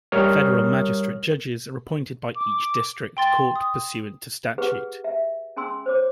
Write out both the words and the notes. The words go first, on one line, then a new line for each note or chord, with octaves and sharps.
Federal magistrate judges are appointed by each district court pursuant to statute.
G3 A#4 C#5 D#6 F6
D6
G5 C6 A6
D#6
G4 G#4 B4 F#5
E5
C#4 G#4 G#5 C6 E6
C5 C#5 D6